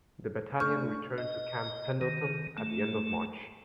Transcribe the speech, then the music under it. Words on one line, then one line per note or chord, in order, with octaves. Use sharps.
The Battalion returned to Camp Pendleton at the end of March.
A3 D4 C#6 F6 G6
D#5
D#3
A3